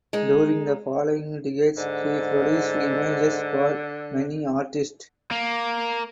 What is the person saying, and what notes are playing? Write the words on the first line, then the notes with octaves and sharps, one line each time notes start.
During the following decades he produced images for many artists.
G#3 D#4
G#2 D3
A#3